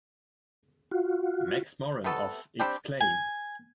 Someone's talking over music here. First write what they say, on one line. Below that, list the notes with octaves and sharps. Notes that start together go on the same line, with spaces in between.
Max Morin of Exclaim!
F4 F#4
C3 A3 B3 A4
G3 C4 D4 G4
G#5